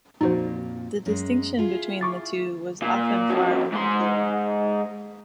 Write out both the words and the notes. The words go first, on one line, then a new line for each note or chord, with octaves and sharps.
The distinction between the two was often far from clear.
F2 A#2 D#4 F#4 C5
F#2 G#3
E4 F4 G#4
C#6 D6 A6
A#2
F2 F#3
G#2 C6